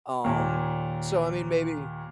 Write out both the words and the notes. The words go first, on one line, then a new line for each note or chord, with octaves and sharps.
Um, so I mean, maybe
D#2 A#2